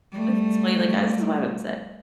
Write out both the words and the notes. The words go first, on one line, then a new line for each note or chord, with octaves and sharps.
like, explain, like, "Ah, this is why I'm upset."
G3 A3